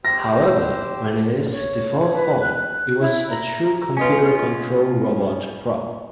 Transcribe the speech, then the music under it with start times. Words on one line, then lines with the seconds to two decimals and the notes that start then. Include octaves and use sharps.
However, when in its default form, it was a true computer-controlled robot prop.
0.05 G4 C5 E6 A#6
1.52 C#5
2.13 B4
2.41 F#6
2.99 E4
3.30 A#5
3.97 B3 C#4 F4 D#5 G#5